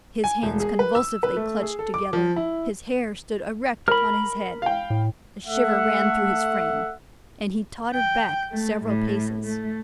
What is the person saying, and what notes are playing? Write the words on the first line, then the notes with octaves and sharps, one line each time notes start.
His hands convulsively clutched together; his hair stood erect upon his head; a shiver ran through his frame; and he tottered back several paces.
G#5
E1
G#4
B4
E6
B4
A3
G#4
A4
D6
F3
E4
A#4 B5 F6
F5 G5
A2
A3 E5 F#5
G5
A3
A2
A3